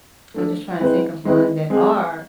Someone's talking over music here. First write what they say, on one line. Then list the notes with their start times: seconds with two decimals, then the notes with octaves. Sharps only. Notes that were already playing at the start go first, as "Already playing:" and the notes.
I'm just trying to think of one that are
0.34 A3 D4 A4
0.80 G#3 C4 E4 B4
1.25 G#3 C4 E4 B4
1.70 G#3 C4 G#4